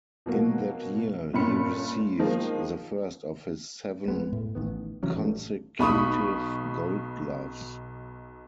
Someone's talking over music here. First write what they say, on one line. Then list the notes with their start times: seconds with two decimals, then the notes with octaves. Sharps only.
In that year he received the first of his seven consecutive Gold Gloves.
0.26 B2 F#3 A#3 F#4
1.34 G1 G2 A#2 C#4 B5 C#7
2.19 D#3 F3 G#3 A#3 D#4
4.08 G#3 B3
4.33 A2
4.55 A1 D#3 B3
5.03 C3 E3 F#3 C#4
5.14 A1 G2 A3
5.79 B1 B5 C#6 D#6